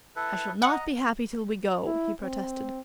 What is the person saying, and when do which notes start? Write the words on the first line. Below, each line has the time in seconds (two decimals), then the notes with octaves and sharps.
"I shall not be happy till we go!" he protested.
0.16 E4 A4 B4
0.62 D#5 F#5 A#5
1.86 E4
2.23 C4